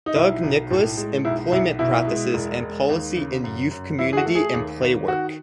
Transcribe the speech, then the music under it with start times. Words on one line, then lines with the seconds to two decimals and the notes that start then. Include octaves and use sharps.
Doug Nicholls: Employment practices and policy in youth, community and playwork.
0.06 D#4
0.15 B1 E4
0.43 B1
0.71 A2
0.97 G#3
1.25 B1 E4
1.52 B1 E4
1.79 B2 E4
2.07 G#3
2.34 E1
2.62 G#3
2.89 D#2
3.16 C#3
3.44 F#2
3.71 F#2
3.99 E3 E4
4.13 G#4
4.17 F#4
4.25 A3
4.35 G#4
4.53 D#2
4.81 D#2
5.08 D#3 F#4